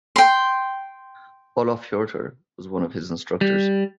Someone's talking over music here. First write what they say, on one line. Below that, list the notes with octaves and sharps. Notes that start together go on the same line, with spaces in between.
Olof Hiorter was one of his instructors.
G5 C6
G3